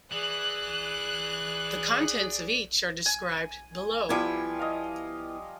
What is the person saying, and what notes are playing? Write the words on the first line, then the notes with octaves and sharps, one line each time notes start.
The contents of each are described below.
E3 G#4 D5 F#6
G#5
F3 G3 B3 E4 G5 G#5
D#5 F5